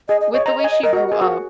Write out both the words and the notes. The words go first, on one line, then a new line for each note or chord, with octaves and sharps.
with the way she grew up,
G#4 D#5
D#5
C#5 D#5
D#5 A#5
D#5
G#5
D#5
A#4 D#5
F#4
D#5
G#4 D#5
F#4 A#4